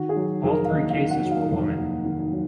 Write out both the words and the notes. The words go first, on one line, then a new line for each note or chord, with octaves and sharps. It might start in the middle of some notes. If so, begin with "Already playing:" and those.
All three cases were women.
Already playing: D#3 F#4
G#4
F#3
F1 G#4
A#4
F5
D#2 D#5
F5
D#3
F#5
F#3
F5
F1
D#2
D#3
F#3